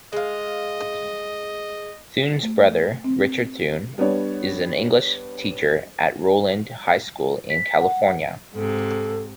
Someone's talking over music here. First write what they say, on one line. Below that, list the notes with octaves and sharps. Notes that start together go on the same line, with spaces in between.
Thune's brother, Richard Thune, is an English teacher at Rowland High School in California.
G#3 D#5 F5
A3
C4
G3 B3 D4 C#5
B6
F#5
G#2 C3 A4